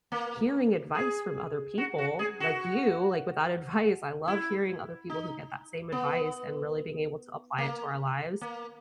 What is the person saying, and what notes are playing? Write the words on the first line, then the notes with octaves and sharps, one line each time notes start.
hearing advice from other people, like you, like, with that advice, I love hearing other people who get that same advice and really being able to apply it to our lives,
A#3
G#4
F#4
F#4
G#4
F#4
E4
D#4
B3
A#3
A#3